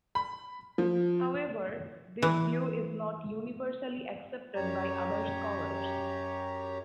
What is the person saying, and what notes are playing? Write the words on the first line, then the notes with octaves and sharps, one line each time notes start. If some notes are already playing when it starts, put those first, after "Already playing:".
However this view is not universally accepted by other scholars.
B5
F3
E3
F#2 G4 C#5 A#5